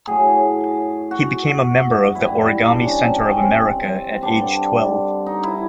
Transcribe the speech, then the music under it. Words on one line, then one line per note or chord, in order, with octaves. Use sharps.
He became a member of the Origami Center of America at age twelve.
A2 F#3 G#4
F#4
A#2 G3 E4
D4
C#4
C4
C4
C#4
C4
G2 D3 G3 D4
D#4
E4